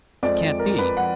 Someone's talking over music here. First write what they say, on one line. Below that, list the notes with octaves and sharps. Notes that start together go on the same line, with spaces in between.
Can't be.
F2 F3 G#3 D5
A#4
B4
F3 F#5